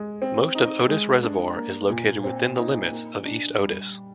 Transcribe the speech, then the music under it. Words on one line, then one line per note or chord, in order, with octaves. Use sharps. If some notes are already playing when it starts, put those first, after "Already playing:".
Most of Otis Reservoir is located within the limits of East Otis.
Already playing: G#3
C4
D#4
G#3
D4
A#3
A#2
C4
D#4
A#3
D4
G3